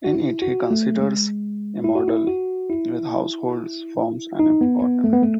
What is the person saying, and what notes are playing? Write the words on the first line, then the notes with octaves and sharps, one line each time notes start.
In it he considers a model with households, firms and a government.
F#4
E4
F#4
A3
G#3
E4
F#4
E4
F#4
E4
D#4
B3
B3
A3
B3
A3